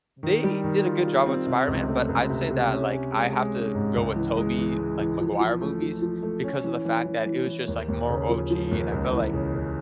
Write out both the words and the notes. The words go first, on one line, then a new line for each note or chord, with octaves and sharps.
They did a good job on Spider-Man, but I'd say that, like, I have to go with Tobey, like, Maguire movies because of the fact that it was just, like, more OG, and I felt like,
D#3
G3
D#3
F4
F4
C4
C3
C#2
A3
C#2
C3
C3
C#4
C#4
G#3
G#3
C#4
G#2
C#2
E3
G#3
E3
G#3
E3
F3
F3
A3
F3
F3
A3
C#4
E3
E3
E3
E3
E3
D#2
D#2
C#3
F3
F3
D#2
C#2
E3
C#3
C#3